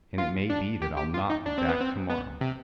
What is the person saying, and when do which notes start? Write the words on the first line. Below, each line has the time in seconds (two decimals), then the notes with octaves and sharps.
"And it may be that I'll not be back to-morrow."
0.18 F4
0.50 D4
0.82 G4
0.98 G4
1.14 F4
1.30 D#4
1.46 D4
1.58 C4
1.68 B3
1.81 C4
2.10 B3
2.41 C3